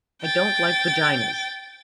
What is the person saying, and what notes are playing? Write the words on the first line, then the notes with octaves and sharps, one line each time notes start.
I don't like vaginas!
G5 A6